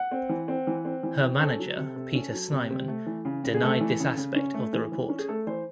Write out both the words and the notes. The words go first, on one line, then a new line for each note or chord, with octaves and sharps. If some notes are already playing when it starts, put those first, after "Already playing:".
Her manager, Peter Snyman, denied this aspect of the report.
Already playing: F#5
C4
E3
C4
E3
C4
E3
C4
C#4 A4
F#3
C3
C3
C#4
F#3
C3
C3
A3
E3
C#3
C#3
G#4
A3 A4
E3
C#3
C#3
C#4
A3
E3
E3
C#4
G#4
A3 A4
E3 C5